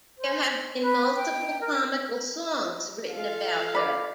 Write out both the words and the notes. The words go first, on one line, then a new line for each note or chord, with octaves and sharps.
There have been multiple comical songs written about her.
C5
B4
G5
A#4
F4 A4 F5
D5 B5